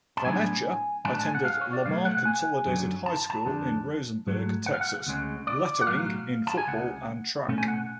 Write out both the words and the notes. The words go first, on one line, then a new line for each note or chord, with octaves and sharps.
Faneca attended Lamar Consolidated High School in Rosenberg, Texas, lettering in football and track.
A5
A2 F#3 B3 D4 G#5
A2 G#3 D4 G#5
A5
G#5
F#5
F5
C#5
D5
B2 F#3 A3 F5
F#5
F#5
G#5
F#2 D3 F#3 C#4
A5
A5
F2 D3 G#3 D4
G#2 F#3 A3
F#5
F5
F#5
D2 C#3 G#3 C#4
D5
F#5
B1 A2 F#3 F5
A5
G#5
C#2 C#3 F#5
B2 A3 C#4
G#5
F#5